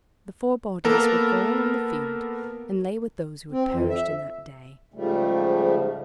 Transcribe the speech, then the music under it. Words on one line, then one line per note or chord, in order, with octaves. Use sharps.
The four bodies were fallen on the field, and lay with those who had perished in that day.
A#3 B3 A4 A#4
C4
F2
E5
G#2 C#3 F3 G3 A3